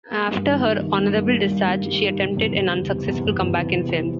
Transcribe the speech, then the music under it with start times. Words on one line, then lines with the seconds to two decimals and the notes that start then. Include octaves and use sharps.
After her honorable discharge she attempted an unsuccessful comeback in films.
0.11 A#3
0.28 G2
0.45 D#3
0.63 G2
0.80 D#3
0.98 G2
1.15 A#3
1.33 A#3
1.50 G3
1.68 G2
1.85 G3
2.03 D#3
2.20 C3
2.36 E2
2.54 E2
2.72 C3
2.89 C3
3.07 E2
3.24 E2
3.42 E2
3.59 C3